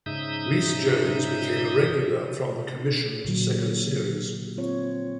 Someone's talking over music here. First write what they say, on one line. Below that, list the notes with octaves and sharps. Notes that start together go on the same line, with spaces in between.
Rhys Jones became a regular from the commissioned second series.
G#2 C#3 D#4 E5 D#6 G6
A#2 D3 F#3
C4 F4 C#5